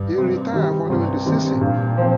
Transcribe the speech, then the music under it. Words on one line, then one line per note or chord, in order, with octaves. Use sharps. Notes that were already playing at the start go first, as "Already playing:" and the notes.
He retired following the season.
Already playing: G2
C3
D#3 G3
C2 G2
C3 D#3
G2 A#2
F3 C4